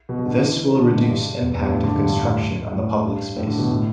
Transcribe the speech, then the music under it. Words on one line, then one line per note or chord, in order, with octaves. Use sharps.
This will reduce impact of construction on the public space.
B2
B2
D3
E3
D3
B2
G2
E2
E2
G2
A2
D3
G2
G2
A2
A2
G2
A2
D3
B2
A2